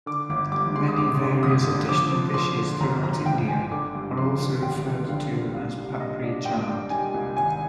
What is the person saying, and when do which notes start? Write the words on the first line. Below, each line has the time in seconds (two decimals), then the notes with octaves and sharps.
Many various additional dishes throughout India are also referred to as papri chaat.
0.06 D3 D6
0.30 G1 D6
0.52 G2 D6
0.75 G#3 C6
0.88 D#6
0.97 G1 D6
1.21 D3
1.43 G1 D#6
1.67 D3
1.89 F3 D6
2.11 F3
2.34 F3 C6
2.58 D3
2.81 G1 A#5
3.03 F3 A#5
3.26 G1 G5
3.48 G1 G#5
3.71 D3 D6
3.95 G2
4.17 F3 C6
4.40 D3
4.62 G#1 G5
4.86 F3
5.08 D3 F5
5.31 D3
5.54 C2 F5
5.77 G3
6.00 A#2 D#5
6.23 D4
6.45 A#2 G5
6.68 D4
6.90 G3 G#5
7.14 C2
7.37 G#1 G#5